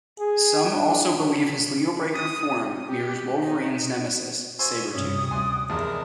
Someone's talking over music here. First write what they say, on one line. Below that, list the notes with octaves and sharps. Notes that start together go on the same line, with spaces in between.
Some also believe his Leobreaker form mirrors Wolverine's nemesis, Sabertooth.
G#4
D4
D#6
C4
G4
D#4
F#4 C5 G#5 E6
G2 C3 G3 C#4 C#5 D#6
D2 D5 F#5 G#5 C6
A#1 E2 C3 G#3 A#4 A5 D#6